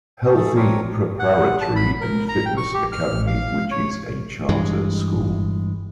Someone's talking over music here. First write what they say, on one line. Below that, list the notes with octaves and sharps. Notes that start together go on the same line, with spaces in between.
Healthy Preparatory and Fitness Academy which is a charter school.
B3 C#4 G4
A3 G#4 A4
C4 D4 A#4 C#5
F#5
A5
B5
A#4
A#5
G5
C#6
G4
F6
F5
C#5
G2 E3 G#3